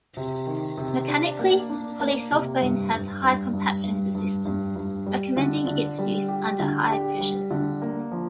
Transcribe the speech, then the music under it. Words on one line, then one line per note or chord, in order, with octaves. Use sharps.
Mechanically, polysulfone has high compaction resistance, recommending its use under high pressures.
C3
D#3
C3
D4
A#3
D4
A#3
C3
G2
G2
G2
G2
G2
G2
G2
G2
G3
D3
D3
G3
G4
D3
G4
G3
D3
A#3
F3